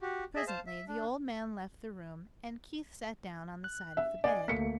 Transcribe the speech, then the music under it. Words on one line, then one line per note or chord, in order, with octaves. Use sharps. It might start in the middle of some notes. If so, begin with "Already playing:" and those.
Presently the old man left the room and Keith sat down on the side of the bed.
F#4 G4
G#4 D#5 E5
C5 F5 A5
E5
D4
F#6
E5
D5 D#5 G#5
D2 A3 A#3 B6 C#7